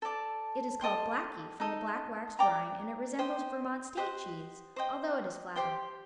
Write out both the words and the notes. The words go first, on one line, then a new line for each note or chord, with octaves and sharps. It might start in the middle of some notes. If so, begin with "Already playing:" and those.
It is called Blackie from the black-waxed rind and it resembles Vermont State cheese, although it is flatter.
A4 D5 A5
A4 D#5 G5 C6
D#4 A4 D#5
D5 G5 A#5 D6
C5 D#5 G5
G4 C5 D#5 F#5
C5 D#5 G5
G4 C5 G5 C6